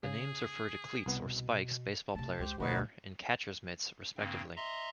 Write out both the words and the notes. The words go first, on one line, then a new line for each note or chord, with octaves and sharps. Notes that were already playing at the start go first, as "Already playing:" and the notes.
The names refer to cleats or "spikes" baseball players wear and catcher's mitts, respectively.
C#3 G#4
C2 B2 B3
C3 A3 A5
C#2 G4 C5
D2 B2 D#4 F#4 B4
G2 C#3 A#3 C4
D#5 E5 A#5 C6